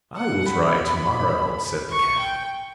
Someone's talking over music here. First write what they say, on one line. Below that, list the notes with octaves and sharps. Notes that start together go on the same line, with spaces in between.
"I will try to-morrow," said the cat.
F#5
B5
C#6
G5